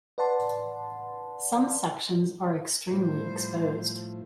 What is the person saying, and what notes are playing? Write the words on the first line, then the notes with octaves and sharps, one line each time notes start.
Some sections are extremely exposed.
B4 D5 F#5 A5 C6
A2 F3 G3 C5